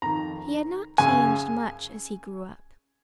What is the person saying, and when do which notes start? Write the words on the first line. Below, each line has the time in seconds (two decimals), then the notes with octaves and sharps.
He had not changed much as he grew up.
0.02 F2 D#3 A#5
0.98 F#2 C#3 G#5